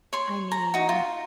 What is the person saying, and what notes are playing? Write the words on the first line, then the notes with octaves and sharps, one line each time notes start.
I mean,
C#5 C6
A#5
D#4 F#4
F4